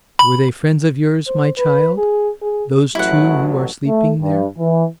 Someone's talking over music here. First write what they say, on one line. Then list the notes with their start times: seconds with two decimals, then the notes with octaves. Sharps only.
"Were they friends of yours, my child, those two who are sleeping there?"
0.19 B5
1.27 C5
1.57 B4
1.98 G#4
2.42 G#4
2.95 A1 F#3 E4 F#5
3.87 A3
4.22 G2
4.58 E3